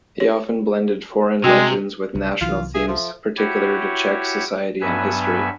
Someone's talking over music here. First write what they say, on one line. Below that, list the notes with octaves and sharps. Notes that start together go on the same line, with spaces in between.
He often blended foreign legends with national themes particular to Czech society and history.
C#5
C3 G#3 F#4 G5
C2 F#3
C2 E3 F#3 F4
F4 G#4 E5
F3 A4 E5
E4 F#4 G4 C#5
G2 F#3 B3 B4 E5 G#5